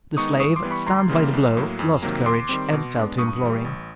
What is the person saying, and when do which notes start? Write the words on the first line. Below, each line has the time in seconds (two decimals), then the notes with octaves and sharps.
The slave, stunned by the blow, lost courage and fell to imploring.
0.17 D#3 G#3 B3 D#4 C#6 D#6
0.40 G2 C#6 D#6
0.56 C6 D6
0.63 E3 G3 B3
0.71 B5 C#6
0.86 D2 A#5 C6
1.09 C#3 E3 G3 A#3
1.33 B1
1.57 A2 F#3 A#3
1.79 F2
2.02 C3 D#3 F#3 A#3
2.26 D#2 C6 D6
2.49 D#3 G3 C4
2.73 B2
2.95 G#3 B3 D4
3.18 G2 C#6 D#6
3.42 E3 G3
3.65 A1